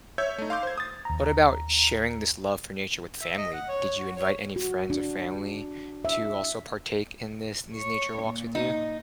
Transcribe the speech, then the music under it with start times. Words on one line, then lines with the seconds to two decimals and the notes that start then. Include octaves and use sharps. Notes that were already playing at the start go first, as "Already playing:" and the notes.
What about sharing this love for nature with family? Did you invite any friends or family to also partake in this in these nature walks with you?
0.18 C#5 E5 E6 G6 G#6
0.38 A3 D#4
0.50 F5 C6 D6 G6
0.63 C5 G#6
0.78 D#6 A6
1.05 D#2 A#5
3.21 E5
3.37 D#5
3.53 F#5
3.69 C#5
3.98 F#4
4.16 C#5
4.56 F#4
4.90 D4
6.05 E5
7.75 C#5
8.22 A#2
8.55 D#4